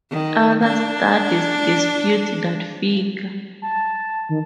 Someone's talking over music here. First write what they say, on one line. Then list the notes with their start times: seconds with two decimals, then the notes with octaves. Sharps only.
Other studies dispute that figure.
0.10 D#3
0.63 D4
3.62 A5
4.29 D#3